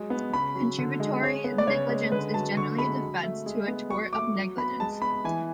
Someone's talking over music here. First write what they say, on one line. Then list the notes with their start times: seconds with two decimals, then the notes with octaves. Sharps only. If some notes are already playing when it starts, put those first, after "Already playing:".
Contributory negligence is generally a defense to a tort of negligence.
Already playing: F#3 G#3
0.10 B3
0.33 C#3 B5
0.55 F#3
0.78 D3
1.00 G#3
1.23 G#3 C#5
1.44 B3
1.58 D5
1.67 C#3 C#5
1.89 G#3
2.12 D3 B4
2.34 F#3 A5
2.57 D3 C#6
2.78 G#3 B5
3.02 F#3
3.23 A3
3.46 G#3
3.68 B3
3.90 F#3 C#6
4.13 A3 D6
4.35 F#3
4.57 B3 B5
4.80 G#3 A5
5.02 B3 B5
5.25 E3 G#5